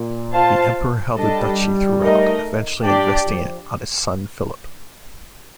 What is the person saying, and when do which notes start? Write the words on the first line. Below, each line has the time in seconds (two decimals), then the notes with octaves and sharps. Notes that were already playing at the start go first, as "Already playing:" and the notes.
The emperor held the duchy throughout, eventually investing it on his son Philip.
Already playing: A#2
0.34 F4 C5 F5 A5
1.17 G3 D4 A4 D#5 A5
2.01 A3 D#4 A#4 D#5
2.84 G3 D4 G4 D5 G5
3.26 F3